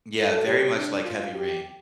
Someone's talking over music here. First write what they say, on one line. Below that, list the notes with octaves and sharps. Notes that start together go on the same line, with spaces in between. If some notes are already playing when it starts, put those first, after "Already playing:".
Yeah, very much like Heavy Rain.
A4
C3 G3 G4
D4
F4
G4